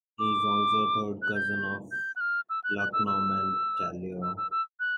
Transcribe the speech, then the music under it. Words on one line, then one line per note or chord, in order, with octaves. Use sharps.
He is also a third cousin of Luc-Normand Tellier.
D6
F#6
G6
G6
F#6
F6
E6
F#6
F#6
E6
E6
E6
E6
E6
F#6